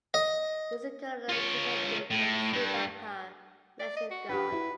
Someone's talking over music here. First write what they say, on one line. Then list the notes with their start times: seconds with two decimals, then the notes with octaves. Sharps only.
He is the Colonel Commandant of the Sri Lanka National Guard.
0.14 D#5
1.29 F4 C#5
2.10 A2
2.53 G2
3.79 D5
3.96 D#5
4.11 F#4
4.29 D4 F#4 G4 B4
4.52 E4 F#4